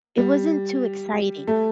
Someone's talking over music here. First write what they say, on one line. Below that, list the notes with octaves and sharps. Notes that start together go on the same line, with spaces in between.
it wasn't too exciting.
G3
A3